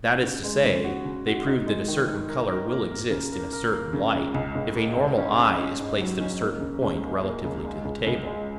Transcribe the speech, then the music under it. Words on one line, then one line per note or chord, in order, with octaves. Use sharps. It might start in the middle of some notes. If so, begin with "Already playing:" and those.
That is to say, they proved that a certain colour will exist, in a certain light, if a normal eye is placed at a certain point relatively to the table.
C#3
G#3
C#3
F#4
C#3
F#4
D#4
G#3
D#3
D#4
A#4
A#4
A#3
A#4
C#3
A#4
A#4
A#3
C#3
C#2
C#2
C#2
A#3
C#2
C#4
C#4
C#4
G#2
F#3
C#4
A#3
C#3
C#2
A#3
A#3
C#2
G#3
C#2
C#2
G#3